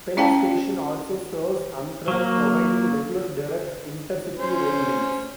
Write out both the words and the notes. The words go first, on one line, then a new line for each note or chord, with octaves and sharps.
Penn Station also serves Amtrak, providing regular direct inter-city rail links.
C#4 E4 D5 F5 G5 A5
F#3 A#3
C#4 C5